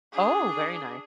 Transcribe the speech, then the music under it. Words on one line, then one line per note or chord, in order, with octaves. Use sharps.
Oh, very nice.
D4 G#4